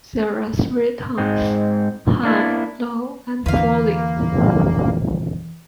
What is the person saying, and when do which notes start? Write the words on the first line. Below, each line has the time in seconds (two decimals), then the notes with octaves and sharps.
There are three tones: high, low and falling.
1.18 G#2 G#3 C4
2.23 A#3 D4 E4
3.46 E2 D3 E3 A#3 B4 F5